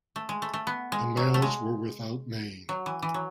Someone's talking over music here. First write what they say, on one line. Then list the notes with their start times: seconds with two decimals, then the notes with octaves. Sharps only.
The males were without mane.
0.16 A3
0.29 G#3
0.42 A3
0.54 A3
0.67 B3
0.92 G#3
1.17 F#3
1.34 A3
1.42 G#3
2.69 F#3
2.86 E3
3.02 E3
3.14 F#3